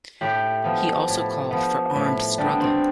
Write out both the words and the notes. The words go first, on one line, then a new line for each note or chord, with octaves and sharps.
He also called for armed struggle.
A2 G4
F3 B3
A2
F3 B3
A2
G3 B3 D4
C4